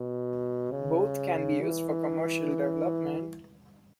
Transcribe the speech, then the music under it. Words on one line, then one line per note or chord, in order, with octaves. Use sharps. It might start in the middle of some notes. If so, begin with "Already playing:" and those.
Both can be used for commercial development.
Already playing: B2
C#3
E3